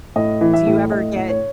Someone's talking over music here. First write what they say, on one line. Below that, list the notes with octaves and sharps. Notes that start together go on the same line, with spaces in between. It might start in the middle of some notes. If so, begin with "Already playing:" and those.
Do you ever get,
A2 D#5
E3
E5
A2
A2 D#5
A2
C#5